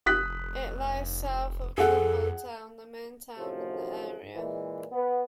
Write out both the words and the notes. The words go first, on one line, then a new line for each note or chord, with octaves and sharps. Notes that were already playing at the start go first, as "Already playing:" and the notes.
It lies south of Campbeltown, the main town in the area.
F1 D#6 F#6 B6
F2 G#4 A4 F#5
F#2 A2 C3 D#3 F3 F#3
A#2 E3 G#3
B3